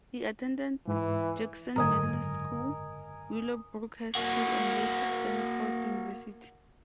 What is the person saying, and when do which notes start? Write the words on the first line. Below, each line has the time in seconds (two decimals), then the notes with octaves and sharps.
He attended Jackson Middle School, Willowbrook High School, and later Stanford University.
0.88 G#2 E3
1.76 F#1 G#2 D3 A#4 D#5 G#5
4.15 A#3 F#4